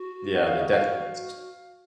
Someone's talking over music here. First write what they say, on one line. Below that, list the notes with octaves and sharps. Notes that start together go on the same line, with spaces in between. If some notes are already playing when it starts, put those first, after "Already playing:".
Yeah, the detriments
Already playing: F#4
F#5
F5
D#5
F5